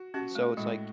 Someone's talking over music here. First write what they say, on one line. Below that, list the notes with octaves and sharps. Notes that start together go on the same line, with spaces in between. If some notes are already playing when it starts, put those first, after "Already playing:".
and so, it's like
Already playing: F#4
C#4 F#4
A3
A2 G#3